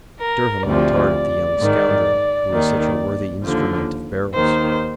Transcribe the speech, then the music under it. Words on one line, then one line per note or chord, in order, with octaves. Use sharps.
Durham looked hard at the young scoundrel who was such a worthy instrument of Beryl's.
A#4
D2 C3 F3 D5
G#2 D#3
D#2 D#3
D#2 D3 F3
D#2 D#3 C5